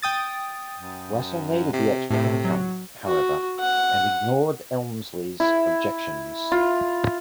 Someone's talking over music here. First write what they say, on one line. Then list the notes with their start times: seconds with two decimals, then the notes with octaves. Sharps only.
Russell needed the extra income, however, and ignored Elmsley's objections.
0.02 G5 D#6 A6
0.78 F#2
1.73 C3
2.10 A2 C3
2.44 F#3
3.06 F#4
3.60 F#5
5.40 E4
6.52 F4